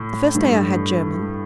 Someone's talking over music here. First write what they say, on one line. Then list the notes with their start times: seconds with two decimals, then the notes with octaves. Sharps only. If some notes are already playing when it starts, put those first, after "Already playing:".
The first day I had German.
Already playing: A2
0.35 G2